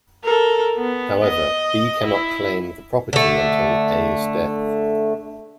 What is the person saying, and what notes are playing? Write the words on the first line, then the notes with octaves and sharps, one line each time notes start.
However, B cannot claim the property until A's death.
A4 A#4
B3
D#5
E4
D3 A3